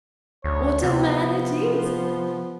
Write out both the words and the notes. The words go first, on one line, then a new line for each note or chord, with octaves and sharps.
What a man it is!
D2 C#5
C3 F3 B3